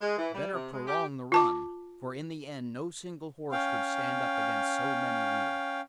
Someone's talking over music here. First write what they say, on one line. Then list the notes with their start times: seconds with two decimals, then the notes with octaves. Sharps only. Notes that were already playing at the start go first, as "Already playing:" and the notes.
Better prolong the run, for in the end no single horse could stand up against so many relays.
0.01 G#3
0.17 E3
0.33 G3
0.53 C3
0.73 G#3
0.86 G4
1.32 F4 A5 D6
3.52 C#4 F5 G5